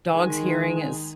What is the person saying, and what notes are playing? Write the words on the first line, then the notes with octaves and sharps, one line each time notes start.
dog's hearing is
D#3 G#3 G#5